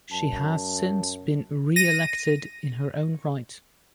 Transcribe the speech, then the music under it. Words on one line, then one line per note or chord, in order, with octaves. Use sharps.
She has since been re-elected in her own right.
F#2 A5
A#6 D#7